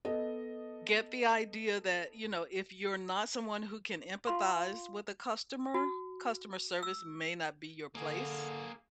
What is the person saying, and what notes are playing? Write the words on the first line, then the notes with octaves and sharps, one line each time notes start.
get the idea that, you know, if you're not someone who can empathize with the customer, customer service may not be your place?
B3 A4 D#5
F4 F5 C6
F#4
E6
D3 A#3 G#4